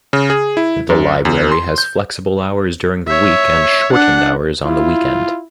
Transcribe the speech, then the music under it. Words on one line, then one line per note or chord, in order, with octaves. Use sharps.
The library has flexible hours during the week, and shortened hours on the weekend.
C#3
G#4
E4
F#2
E2
C6
G6
C#5 E5
D4 F#5
E4 F4